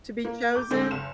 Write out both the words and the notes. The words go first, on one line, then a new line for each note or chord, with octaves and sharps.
to be chosen.
A#3
D6 G6
A2 D3 G#3 C4
F#1 E7